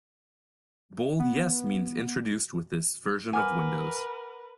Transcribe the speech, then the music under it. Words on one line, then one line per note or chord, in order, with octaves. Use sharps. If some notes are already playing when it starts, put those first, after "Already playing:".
Bold "Yes" means introduced with this version of Windows.
B3
A#4 B4 F#5 G#5 D6 F6